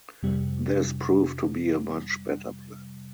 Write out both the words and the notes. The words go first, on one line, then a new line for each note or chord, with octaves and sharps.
This proved to be a much better plan.
F2 C3 G3